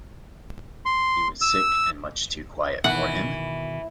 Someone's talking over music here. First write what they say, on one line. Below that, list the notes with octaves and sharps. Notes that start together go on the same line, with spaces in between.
He was sick, and much too quiet for him.
C6
E6
B2 D#3 E3 F#5